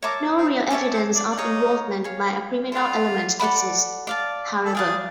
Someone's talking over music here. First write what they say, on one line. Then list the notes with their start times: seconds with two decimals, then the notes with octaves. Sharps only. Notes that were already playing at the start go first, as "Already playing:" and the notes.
No real evidence of involvement by a criminal element exists, however.
0.02 A#3 C#5 E5 A5 D6
0.36 C4
0.70 C#4 C#5 E5 A5 D6
0.93 C4
1.15 D4
1.31 D4
1.38 D#4 G#4 C#5 F5
2.04 G#4 C#5 F5
2.72 F4 A4 D5 F#5 B5
3.39 A4 D5 F#5 B5
4.07 D5 F5 A5
4.65 A4
4.74 G#4 D5 F5 A5